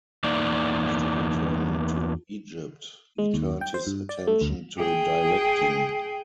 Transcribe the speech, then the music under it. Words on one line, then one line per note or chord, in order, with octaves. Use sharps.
After returning to Egypt, he turned his attention to directing.
E2 A#3 D#4 D5
G#3
D#2
G5
C5
G2
D5
A3
D2
G#4 G5